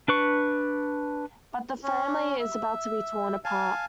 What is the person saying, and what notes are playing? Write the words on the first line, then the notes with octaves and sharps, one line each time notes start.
But the family is about to be torn apart.
D4 B4 C#6
C#4
E5
F5 G#5 A5